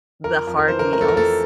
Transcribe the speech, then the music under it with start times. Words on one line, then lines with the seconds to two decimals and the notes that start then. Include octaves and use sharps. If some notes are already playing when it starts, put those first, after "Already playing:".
the hard meals,
0.24 F2 A#4
0.47 F2
0.59 A#4
0.68 E3 C5
0.79 A#4
0.93 A3 A#4
1.01 A4
1.08 A#4
1.17 F2 A4